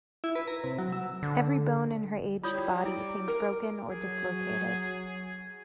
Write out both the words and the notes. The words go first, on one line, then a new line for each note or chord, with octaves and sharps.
Every bone in her aged body seemed broken or dislocated.
E4
B4
A#5
C3
F#3
E6
D3
G3 E4 F4 C#5 D#6
E4 D6
A#4
F#3 G#4